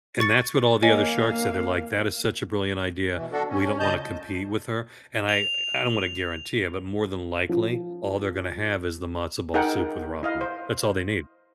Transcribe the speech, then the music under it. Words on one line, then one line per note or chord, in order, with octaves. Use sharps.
And that's what all the other sharks said. They're like, "That is such a brilliant idea. We don't wanna compete with her." And I I don't wanna guarantee it, but more than likely, all they're gonna have is the matzo ball soup with ramen. That's all they need.
C#6 A6 C#7
A#3 C#5 D#5 F5 G#5
B2 E3
D4 F#4 A4
C#4
A#2 C#3 D#5 A5 G6
F7
F3
D#4 G#4 A#4 F#5 G5
E4 D#5 F5
C5